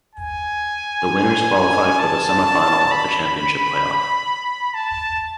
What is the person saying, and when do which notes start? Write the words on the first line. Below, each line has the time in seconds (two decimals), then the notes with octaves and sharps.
The winners qualified for the semifinal of the championship playoff.
0.16 G#5
1.99 A5
2.91 B5
4.74 A5